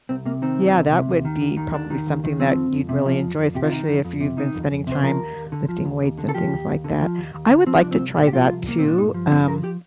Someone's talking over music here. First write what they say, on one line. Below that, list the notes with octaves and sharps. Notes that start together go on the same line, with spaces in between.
Yeah, that would be probably something that you'd really enjoy, especially if you've been spending time lifting weights and things like that. I would like to try that too, um,
C2 C4
C3 A#3
D#3 C4
C2
C2
C3
D#2
D#3
D#2
D#3
D#2 D4
D#3
D#2
D#3
F3 C4
F2
F2
C3
F3
F2
F2
C3 G4
F4
D#3 D#4
F2
F2
C3
D#3 D#4
F2
F2
C3 C5
F3 A#4
D#2
D#2
D3
F3
D#2
D#2
D3
A4
F3 G4
D#2
D#2
D3
F3
D#2
D#2
D3
F3 C4
C2 D4
C4
C2
A#2
G4
F3 F4
C2
C2 A#3
A#2 C4
D4
G2 D#4
F3
G2 C4
F3 A#4
G4